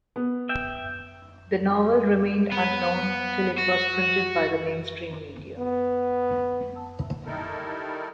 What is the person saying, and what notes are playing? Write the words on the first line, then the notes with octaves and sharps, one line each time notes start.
The novel remained unknown till it was printed by the mainstream media.
B3
E5 G5
B3
F#4
B3
D#3 G3 D#4 E4 A4 A#4